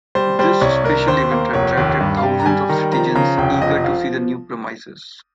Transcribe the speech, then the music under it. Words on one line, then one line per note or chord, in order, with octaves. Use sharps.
This special event attracted thousands of citizens eager to see the new premises.
G3 C5
G3 C5
C2 C#5
C2 A#4
D#2 C5
A#3
F1 C#5
D#2
G2
F5
G3 G5
A#5
G3 G#5
D#3 A#5
F3 A#5
C#3 A#5
F1 G5
F3 D#5
F3 F5